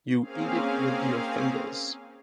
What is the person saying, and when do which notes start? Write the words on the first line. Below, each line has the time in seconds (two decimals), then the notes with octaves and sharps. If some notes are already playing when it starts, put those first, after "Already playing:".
You eat it with your fingers.
0.20 A#3 C4 C#4 G#4 F5